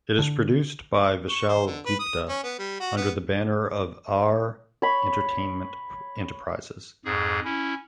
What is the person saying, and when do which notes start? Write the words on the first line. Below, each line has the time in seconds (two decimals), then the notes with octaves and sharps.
It is produced by Vishal Gupta under the banner of "Aar Entertainment Enterprises".
0.19 D3
1.30 C#6
1.49 C5
1.66 D3
1.86 B4
1.99 D#6
2.29 C#4
2.44 B3
2.58 G3
2.80 F#4
2.97 B3
4.82 C#5 B5
7.05 F2 G#2 G#4
7.45 C#4 E4